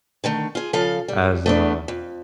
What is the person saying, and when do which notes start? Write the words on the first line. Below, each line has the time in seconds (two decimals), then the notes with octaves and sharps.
as, uh,
0.24 D3 D#3 A3
0.55 F4 G#4
0.73 C#3 F3 A4 F5
1.08 G3
1.46 A3 B3 D4
1.88 F2